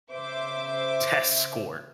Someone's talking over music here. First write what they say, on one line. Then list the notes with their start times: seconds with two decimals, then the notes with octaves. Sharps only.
test score,
0.14 C#3 C5 E5 D6